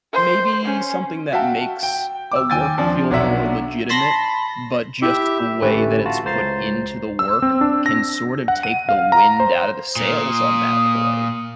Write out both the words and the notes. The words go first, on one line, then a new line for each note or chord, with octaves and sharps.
maybe something that makes a work feel more legitimate, but just the way that it's put into the work can sort of take the wind out of the sails on that point
C5
C#4
F#4 E5 F5 G5 A5
G5
D6 E6
D#2 G5 G#5 E6 A6
F3 C4 D4
B1 F#3 D4 E5 F#5
A5 B5 C6 A#6
E4 G4 E5
A1 D3 E3 A3 G4 B4
F4 F#4 A5
C#2 C#3 C5 A#5 A6 C7
E6
C4
D4
A#6
F#5
D#7
F5
A#5
C5
A#2 D#6